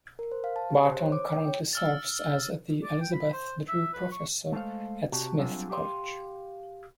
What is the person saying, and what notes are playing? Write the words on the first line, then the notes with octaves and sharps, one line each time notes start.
Barton currently serves as the Elizabeth Drew Professor at Smith College.
A#4
C5
F5
A5
G4
C5
C#5
D6
G5
C#5
E6 F6 A6
D5
G5
B5
C5
E5
B4
C#6
G#3 A3 A4 A#4 C5 F5
C3 F#4 G4 A5
F#3 G3 C4 D4 F4 G#4
G4 F5 G5 C6